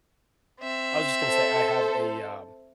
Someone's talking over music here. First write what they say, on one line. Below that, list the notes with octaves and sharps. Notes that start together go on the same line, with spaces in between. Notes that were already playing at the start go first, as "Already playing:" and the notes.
I was just gonna say, I have a, um
C4 E5
A4 C5